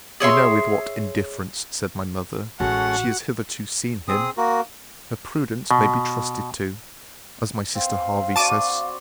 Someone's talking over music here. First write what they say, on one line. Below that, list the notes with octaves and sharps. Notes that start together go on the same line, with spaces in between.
You know with what indifference, said my mother, she has hitherto seen him.--Her prudence may be trusted to, as my sister Hervey says.
G#4 C#5 E5 C6
A1 G#3 C#4 F#4 A4 F#5
C4 G#4 D#6
A#3 F#4 A#4
B2
C4 F5
F#4 D5 A5 D6 D#7